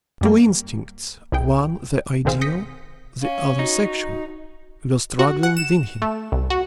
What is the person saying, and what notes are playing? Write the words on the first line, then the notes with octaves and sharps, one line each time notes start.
Two instincts--one the ideal, the other sexual--were struggling within him.
F#2 G3 A#3
C2 E4 G#4 G5
G#1 C3 D#3 C4 G#4 F5
D#6 G6 A#6 B6 C#7
C#4 F5
D#4 F#4
F#4
F#5
E7
A3
C2
F#4